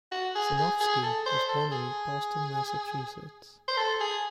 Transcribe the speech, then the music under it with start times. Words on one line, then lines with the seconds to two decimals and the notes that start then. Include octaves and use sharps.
Sinofsky was born in Boston, Massachusetts.
0.12 F#4
0.35 G#4
0.57 G#4
0.81 G#4
1.03 A4
1.26 C5
1.49 A4
1.72 G#4
3.68 C5
3.77 A4
4.00 G#4